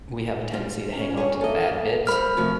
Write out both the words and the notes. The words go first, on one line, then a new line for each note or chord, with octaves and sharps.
we have a tendency to hang on to the bad bits.
G3 F4
C#4
G#4 C#5
A#3 A4 D#5 E5
G3 A#4 C5 B5 F6
C3 F3 A3 F#4